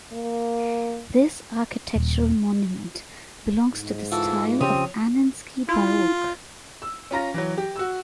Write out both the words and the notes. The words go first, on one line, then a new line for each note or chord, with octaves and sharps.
This architectural monument belongs to the style of "Anninsky Baroque".
A#3
D#1
G#2
E3 F4 F#4 A4
C#3 F3 C4 G4 C#5 D#6
E4 F4
E6
C#4 F4 A#5 A#6
E3 F#3
G4
F#4 E6